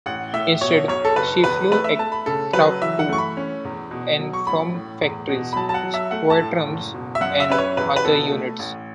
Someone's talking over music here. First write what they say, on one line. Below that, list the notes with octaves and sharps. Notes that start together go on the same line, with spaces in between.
Instead, she flew aircraft to and from factories, squadrons and other units.
A1 F#5
A2 E5
B2 C#5
B1 C#5
A4
F#1 B4
E2 B4
A3 B4
E5
A3 A5
B5
C#3 A4
F#3 B4
E3 E5
F#5
A3 C#6
B5
C#4
E2
B2
F#3
C#6
A1 B5
A2
E2
B2
B5
F#3 A5
A5
F#5
F#3
E5
A3 F#5
A5
A2
F#1
B2
E5
F#2 F#5
E5
C#4 B4
C#5
E2 B4
B4
B2 A4
A3
A1